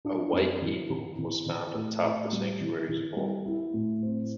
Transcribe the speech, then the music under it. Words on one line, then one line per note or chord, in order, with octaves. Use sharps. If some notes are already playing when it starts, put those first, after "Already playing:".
A white eagle was found atop the sanctuary's vault.
D4
F#2
E3
E3
E3
E3
A2
A2
G3
E3
E3
G3
E4
A2
C4